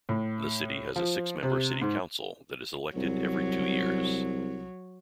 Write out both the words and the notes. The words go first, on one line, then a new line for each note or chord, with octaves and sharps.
The city has a six-member City Council that is elected every two years.
A2
F3
C3
G#2
C2 F#3